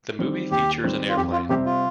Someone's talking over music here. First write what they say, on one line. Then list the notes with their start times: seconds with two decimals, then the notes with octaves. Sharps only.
The movie features an Airplane!
0.19 D#3 G3 C4
0.51 D#2 G4
0.84 D#3 G3 C4
1.09 F4
1.16 F2 G4
1.32 F4
1.49 C3 G3 C4 G4
1.66 F4